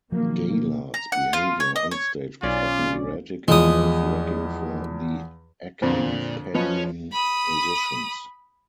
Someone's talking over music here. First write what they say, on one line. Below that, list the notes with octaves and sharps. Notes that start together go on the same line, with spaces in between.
Gaillard's behaviour on stage was often erratic and nerve-wracking for the accompanying musicians.
B2 D#3 F3 F#3 A#3
A#5
F#5
F4
C#5
D#5
C#5
B1 C#4 F4 D5
E2 F3 G#3 D#6
F2 A#2 D3 C5
F3 C#4 B4 C#5 D#5 A5
B5 D#6